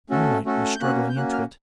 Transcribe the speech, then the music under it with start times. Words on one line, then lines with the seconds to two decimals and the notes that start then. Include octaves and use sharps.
Moonlight was struggling into it.
0.10 A3 C#4 F#4 A4
0.45 A3 C#4 F#4 A4
0.75 G6
0.81 A#3 C#4 F#4 F#6
1.09 G6
1.16 A#3 C#4 F#4 F#6
1.33 F6